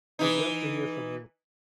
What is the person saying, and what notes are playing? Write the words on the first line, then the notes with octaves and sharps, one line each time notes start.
We’d love to hear from you.
E3 D#4